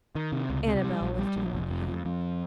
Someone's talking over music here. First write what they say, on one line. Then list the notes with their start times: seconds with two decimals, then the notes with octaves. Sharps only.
Annabel lifted one hand.
0.15 D#3
0.32 C3
0.50 C#2
0.67 C3
0.84 G3
1.01 A#1
1.19 G3
1.36 A#1
1.53 F1
1.70 F2
1.87 F2
2.05 F2